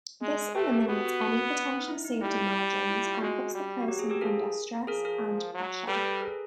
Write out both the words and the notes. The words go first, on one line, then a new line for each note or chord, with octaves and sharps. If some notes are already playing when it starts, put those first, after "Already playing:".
This eliminates any potential safety margins and puts the person under stress and pressure.
G#3
A3 A4 B4
G4 A4
B3 F#4
F#4
D#4
E4
D#4
G3 E4
E4
F4
G#3 F#4
G3
F#4
F#3 G4
G#4
G4 A4
F3 G#4 A#4
F3 G#4 A#4
G#4 A#4
F#3
G3 A4 B4
A4 B4
G#4 A#4